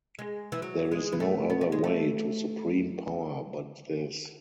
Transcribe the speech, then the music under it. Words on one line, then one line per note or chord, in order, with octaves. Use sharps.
There is no other way to supreme power but this.
G#3
E3
F#3
G#3
B3
A3
B3
A3
G#3
A3